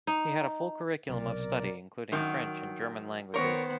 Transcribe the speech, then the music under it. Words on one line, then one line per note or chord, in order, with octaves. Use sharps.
He had a full curriculum of study, including French and German languages.
D#4
B1 C3 A#4 D5
F#2 D#3 F#3
D#3 B3 A#4 C5 C#5